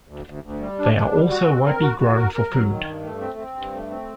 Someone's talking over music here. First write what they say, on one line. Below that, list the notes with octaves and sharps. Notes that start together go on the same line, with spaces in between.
They are also widely grown for food.
D2
D2
D2
G3
D4
D4
G3
F#4
C4
A#4
F#4
F#4
A#4
A#4
F#3
D#3
G2
A3
C4
C4
G2
A3
C4